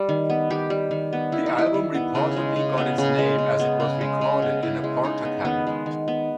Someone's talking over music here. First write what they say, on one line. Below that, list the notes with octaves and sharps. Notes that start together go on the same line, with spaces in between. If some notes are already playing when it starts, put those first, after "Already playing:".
The album reportedly got its name as it was recorded in a Portakabin.
Already playing: G3
D#3
B3
D#3 G4
G3
D#3
B3
D#3 E4
D#4
G3
E4
D#3
B3
C#3
G#3
C#3
B3
C#3
G#3
C#3
B3
C#3
G#3
C#3
B3
C#3 E4
G#3
C#3 D#4
B3
D#3 B3
G#3
D#3
B3